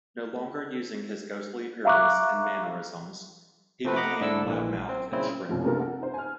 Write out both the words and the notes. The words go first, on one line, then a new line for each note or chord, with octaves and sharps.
No longer using his ghostly appearance and mannerisms, he became loudmouthed and shrill.
E5 F5 A#5 C#6 D6 F#6
C3 F3 A3 C4 B4
D#5 F#5 A#5 B5 D6
G#2 D3 D4 E4 A4 E6
A#1 A#2 E3
C4
A#2 C#3 C4 E4
C2 F#2 F3
C3 A#3 D4 F4 A4 A#4
F#5
D#4 C5
G#5 F6